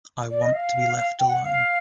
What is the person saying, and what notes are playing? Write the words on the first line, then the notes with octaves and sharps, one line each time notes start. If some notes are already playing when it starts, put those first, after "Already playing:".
I want to be left alone.
D5
D#5
F5
F5
G5
F#5
F5